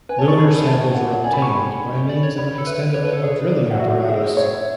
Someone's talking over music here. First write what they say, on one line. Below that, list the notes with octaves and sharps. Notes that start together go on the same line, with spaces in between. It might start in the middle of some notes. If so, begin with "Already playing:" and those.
Lunar samples were obtained by means of an extendable drilling apparatus.
B4 G#5
C#5 A5
D5 C#6
G#4 B5
A4
C#5
A5
F#5
D5 G#5
B5
C#5 C#6
B5
D5
C#5
B5
A4
B4 E5
B4
C#5 D5
B4
A4
G#4 C#5
D5
F#5
F#4 E5
G#4 E5
C#5